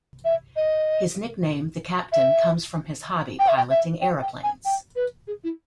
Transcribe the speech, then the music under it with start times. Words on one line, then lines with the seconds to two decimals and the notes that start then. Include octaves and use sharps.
His nickname, "The Captain", comes from his hobby, piloting aeroplanes.
0.25 E5
0.56 D#5
2.12 E5
3.39 G5
3.48 E5
3.57 G5
3.70 E5
4.02 G5
4.22 G5
4.43 G#5
4.65 G5
4.96 B4
5.27 G#4
5.44 E4